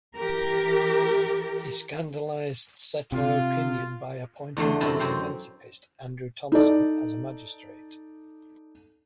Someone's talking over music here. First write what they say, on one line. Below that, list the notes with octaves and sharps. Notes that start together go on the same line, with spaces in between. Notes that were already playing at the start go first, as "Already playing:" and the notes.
He scandalised settler opinion by appointing another emancipist, Andrew Thompson, as a magistrate.
E3 G4 A#4
C3 F4
E2 D3 A3 C6
F#2 C3 E4 A5 A#5 C6
F#2 C4 F5
D#4 A4 D5